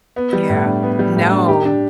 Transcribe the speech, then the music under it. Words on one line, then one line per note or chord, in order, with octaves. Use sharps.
Yeah. No.
B3
G3
A2
D4
B3
G3
A2
D4
G4
D4